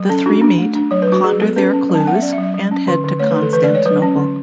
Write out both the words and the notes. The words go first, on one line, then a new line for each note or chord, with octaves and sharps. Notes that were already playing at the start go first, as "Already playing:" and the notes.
The three meet, ponder their clues, and head to Constantinople.
Already playing: F#3
C#4 A4
D4 F#4
D4
A3
D4
F#3 C#5
B4
F#3 F#4
F#3 G#4
B3 A4
C#4 B4
C#4
F#3 A5
G#5
B3 F#5
E5
C#4 D5
E5
F#3
E5
F#3
C#4
D3
D3
A3 C#5
B4
D3
A4
E3 B4
D5
G#3
C#5
F#3 B4
C#4
D3